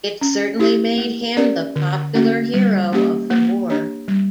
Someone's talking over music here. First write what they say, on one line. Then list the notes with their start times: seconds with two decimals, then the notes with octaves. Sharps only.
It certainly made him the popular hero of the war.
0.21 C#4
0.59 E4 G4
0.98 A#3
1.36 C#4 G4 A#4 D5
1.76 D3
2.14 A#3 C#4 F#4
2.54 G3
2.92 A#3 C#4 G4
3.30 A#3
3.70 D4 G4 C#5
4.08 G3